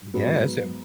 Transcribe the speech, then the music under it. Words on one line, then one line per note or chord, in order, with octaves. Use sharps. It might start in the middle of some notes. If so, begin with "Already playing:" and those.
Yes, and
G#2 F#3 B3